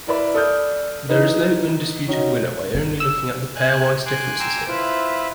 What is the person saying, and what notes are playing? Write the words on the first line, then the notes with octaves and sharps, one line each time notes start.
There is no undisputed winner by only looking at the pairwise differences here.
E4 A#4 B4 D5 E5 B5
A4 D5 D#6 F6 G6
E3 D#4 B4 D#5
C#4 D#4 F#4 D#5
G1
E6
G#5 F#6
G#5 C6 D6 F#6 G6
G5 G#5 A#5 C6 D6 E6
E4 F4 B4 C5 E5